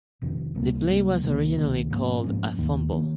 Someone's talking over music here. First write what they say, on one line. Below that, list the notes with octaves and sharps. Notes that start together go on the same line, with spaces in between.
The play was originally called a fumble.
F1 F2 C3 D#3
C#2 C3 G3 A#3
C#2 C3 G3 A#3
C#2 C3 D#3 A#3
C#2 C3 D#3 A#3
G#2 F3 A#3 C#4
G#2 F3 A#3 C#4
D#2 D#3 A#3
D#3 A#3